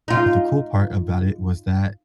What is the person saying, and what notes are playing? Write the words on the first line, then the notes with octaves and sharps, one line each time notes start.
But the cool part about it was that,
D#4 F4